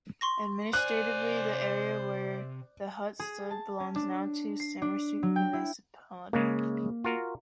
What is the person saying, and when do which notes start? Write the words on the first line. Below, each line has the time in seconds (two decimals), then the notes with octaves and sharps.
Administratively the area were the hut stood belongs now to the Sermersooq municipality.
0.21 C6 C#6 A#6
0.73 C3 C5 D5 G#5 F#6
3.19 G#4
3.51 A5
3.80 C#4
3.96 D4
4.60 C7
4.82 D4
5.23 F#3
5.36 G5
5.53 E4
6.33 C#3 G#3 A#3
7.04 F4 F#4 A#4